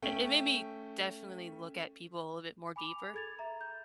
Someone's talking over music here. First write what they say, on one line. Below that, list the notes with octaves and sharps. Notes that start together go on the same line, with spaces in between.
it it made me definitely look at people a little bit more deeper,
A3 C#4 G5
G#5 B5 D6 F7
G#4 A4 G#6 A6 F7
E5 A#5
G6